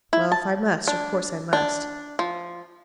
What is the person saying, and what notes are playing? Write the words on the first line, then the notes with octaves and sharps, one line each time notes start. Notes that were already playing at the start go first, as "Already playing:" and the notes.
Well, if I must, of course I must.
E4
A5
D4
D4
F3